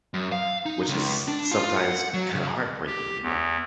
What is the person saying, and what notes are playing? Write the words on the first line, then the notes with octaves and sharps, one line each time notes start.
which is s sometimes kind of heartbreaking, you know.
F#2
F5
D#4
C#2
D4
F4
F#5
F#3
C#3
G4
E2